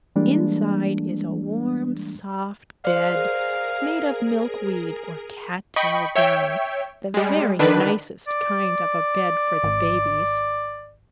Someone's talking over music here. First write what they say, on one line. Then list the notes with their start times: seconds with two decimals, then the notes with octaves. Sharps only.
Inside is a warm, soft bed made of milkweed or cattail down, the very nicest kind of a bed for the babies.
0.16 E3 G3 G#3 A#3 D4
2.85 G#4 A#4 C5 D5 F5
5.76 D#5 G5 B5 C#6
6.15 C#5 E5 G5
7.14 G3 G#3
7.59 D3 D#3 D4 B4
8.28 D5
9.64 G#1